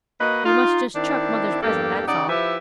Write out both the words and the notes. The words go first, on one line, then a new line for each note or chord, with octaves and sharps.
We must just chuck mother's present, that's all.
A#3 F#4 B4 D#5
D#4 F4
D#3 C4 D4 E4
E2 G2 A#3 G4 A4
C#3 D#4 G4 D5 F#5
F3 E4 G4 B4 E5